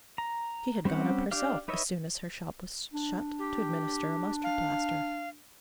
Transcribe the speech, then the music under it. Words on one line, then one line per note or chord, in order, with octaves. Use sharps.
She had gone up herself, as soon as her shop was shut, to administer a mustard-plaster.
A#5
G3 C4 C#4 G4 F#5
D4 G4 D5 F5
D#4 B4 C#5 D#5 E5
D4
G4
F5